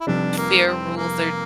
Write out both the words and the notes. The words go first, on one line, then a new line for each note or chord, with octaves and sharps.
fair rules, or
E4
F1 F2 C3 G3 D4
A#3
C4
A#3